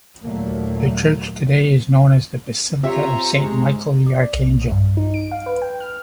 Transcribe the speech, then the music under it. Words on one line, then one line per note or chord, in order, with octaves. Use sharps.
The church today is known as the Basilica of Saint Michael the Archangel.
D#2 A#2 F#3 A3 A#3
C4 F4 G4 C5 C#5 E5 A#5
G#2 G#3
D5
B1
G2
D#4
D7
F5
B4
G5
F6